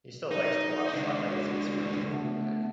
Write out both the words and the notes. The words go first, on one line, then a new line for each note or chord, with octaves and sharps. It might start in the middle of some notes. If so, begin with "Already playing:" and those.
He still likes to watch soccer as he is friends with Luca Mack.
D#4
C#2 D4 D#5
F#4
A3 B3 D4